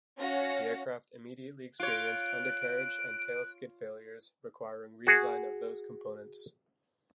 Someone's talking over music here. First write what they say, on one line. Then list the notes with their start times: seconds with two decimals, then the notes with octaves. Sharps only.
The aircraft immediately experienced undercarriage and tailskid failures, requiring redesign of those components.
0.18 C#4 F#4 F5 A#6 C#7
1.80 F4 C#5 F#6 D7
5.07 F#4 G#4